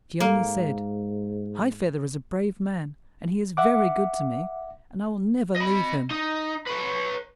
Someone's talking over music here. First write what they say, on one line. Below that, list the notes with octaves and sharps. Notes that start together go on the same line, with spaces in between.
But she only said, "High-feather is a brave man, and he is very good to me, and I will never leave him."
G#2 A#3
E5 F#5 D6
D#5 B5
D#4
B4 C#5